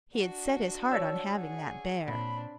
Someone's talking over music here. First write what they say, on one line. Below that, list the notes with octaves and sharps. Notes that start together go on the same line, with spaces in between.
He had set his heart on having that bear.
D4 F#4
F#5
C#5 D5 A5 E6
G#4 F#5
A#2 C4 D4 B5